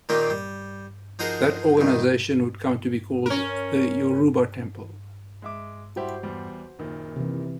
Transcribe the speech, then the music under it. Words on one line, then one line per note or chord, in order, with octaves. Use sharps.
That organization would come to be called the "Yoruba Temple".
A#2 D#3 A#3 C4 F4 G4
G3
F3 D#4 F#4 G#4 A#4 C5
C2 D#3
C#4 A#4
G#3 E5 D6
G3 E4 F#4 G4 C5
E2 G3
F#1 A#2 D#3
C3 E3